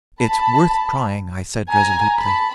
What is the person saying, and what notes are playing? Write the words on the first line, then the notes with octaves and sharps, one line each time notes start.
"It's worth trying!" I said resolutely.
A5 B5
G#5 A#5
A5 B5